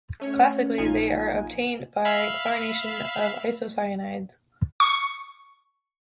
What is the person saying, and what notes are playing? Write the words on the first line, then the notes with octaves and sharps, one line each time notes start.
Classically they are obtained by chlorination of isocyanides.
A3 C#4 C#5
A#1 D#4 F4 G#5
E5 F5 B5
C#6